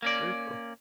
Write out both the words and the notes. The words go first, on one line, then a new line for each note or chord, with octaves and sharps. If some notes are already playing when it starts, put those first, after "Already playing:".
Very cool.
A#3 C#4 D5